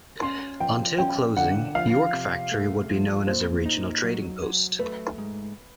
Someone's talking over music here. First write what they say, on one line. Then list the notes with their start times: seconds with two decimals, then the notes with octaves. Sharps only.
Until closing, York Factory would be known as a regional trading post.
0.22 C#4 C6
0.60 F3 G5
0.98 C#4 G5
1.37 D3 F#5
1.75 F3 F5
2.13 C3
2.52 A3
2.90 F3
3.27 A#2 C5
3.66 D#4
4.03 F#3
4.42 F#3
4.79 A3 B4
5.18 G#2